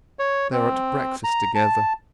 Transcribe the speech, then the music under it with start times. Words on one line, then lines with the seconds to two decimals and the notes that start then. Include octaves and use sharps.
They are at breakfast together.
0.19 C#5
0.52 C4
1.24 A#5
1.55 A5